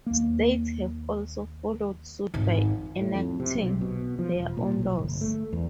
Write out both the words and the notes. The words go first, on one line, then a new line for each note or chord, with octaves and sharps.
States have also followed suit by enacting their own laws.
D#2 A#3
G#1 F2
A2
F2
C3
B1
B2
F3
E1
A#2
B1
G1
A3
E2